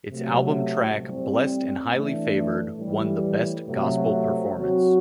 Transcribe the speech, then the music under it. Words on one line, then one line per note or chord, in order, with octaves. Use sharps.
Its album track "Blessed and Highly Favored" won the Best Gospel Performance.
C3 F#3 A3
A2 G3 C4
A2 E3 A3 D4
A2 E3 G3
C3 F#3 A3 C4
F#3 C4 F#4